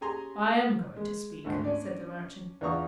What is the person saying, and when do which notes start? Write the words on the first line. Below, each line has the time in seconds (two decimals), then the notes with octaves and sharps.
"I am going to speak," said the merchant.
0.01 C#4 G4 G#4 G#5 A#5 C6
0.96 G#3
1.44 G#1 D2 D3 A3
1.64 C#4 D4 D5
2.61 E2 D4 F4 A#5 C#6 D#6